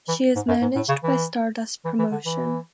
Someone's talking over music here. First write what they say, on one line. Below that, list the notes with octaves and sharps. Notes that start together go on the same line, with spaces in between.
She is managed by Stardust Promotion.
E3
G#2
F#2
G#2
A2
C#3
E3
E3
E3
D3
E3